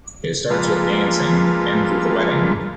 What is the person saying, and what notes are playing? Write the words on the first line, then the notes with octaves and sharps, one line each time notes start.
It starts with dancing, ends with a wedding.
F3 G#3 A#3 F4 A4 B4